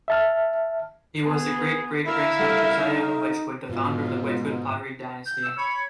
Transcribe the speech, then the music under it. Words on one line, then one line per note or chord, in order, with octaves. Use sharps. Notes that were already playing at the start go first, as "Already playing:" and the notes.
He was the great-great-grandson of Josiah Wedgwood, the founder of the Wedgwood pottery dynasty.
E5 A5 F6
B3 G#4
E4 A#4 E5 F5
G3 A4 F#5
D#4
G#2 B2 F4
G6
E6
C#5 B5